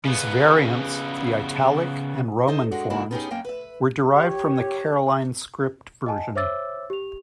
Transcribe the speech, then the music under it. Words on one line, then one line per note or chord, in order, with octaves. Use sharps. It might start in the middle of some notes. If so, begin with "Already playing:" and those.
These variants, the "Italic" and "Roman" forms, were derived from the Caroline Script version.
C#3 B3
D#4 A4 C5 D#5
G#2 G#3 D4 F#4
C#3 A#3 D4 E4 F#4
B3 C#4 D#4 F4 G4 G#4
F#2 A#3 C#4 G5
B4 E5
G4 C#5
D#5 F#5 G#5 A5
C5 C#5 E5 D6 E6 A6
G4 F7